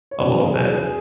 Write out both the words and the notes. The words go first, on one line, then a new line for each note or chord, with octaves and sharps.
a little bit,
C#5
E2 C#3 F#3 B4
G#4
G#4
G#4